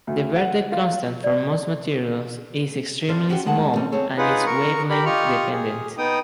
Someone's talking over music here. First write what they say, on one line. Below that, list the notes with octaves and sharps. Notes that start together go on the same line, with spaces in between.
The Verdet constant for most materials is extremely small and is wavelength dependent.
D2
F#5
F4
D5
C3 A4 C5 D5 F5
C#4 F#4 G4 C5 D#5 G5
D2 G#3 A#4 D#5 F#5 A5
E3 A#3 C4 C#4 A4
C4 G#4 A4 C#5
D#4 F4 G#4 B4 F#5
A#4 C#6
G4 A#4 B5
F4 G4 D#5 C#6 F6
G#4
B3 D#4 G5 D#6